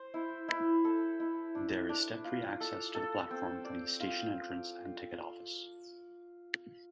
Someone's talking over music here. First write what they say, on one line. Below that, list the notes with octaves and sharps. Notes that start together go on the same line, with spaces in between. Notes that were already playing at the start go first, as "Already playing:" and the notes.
There is step-free access to the platform from the station entrance and ticket office.
Already playing: C5
E4
E4
A4
E4
D4
D4
F4
A4
A4
C4
D5
F4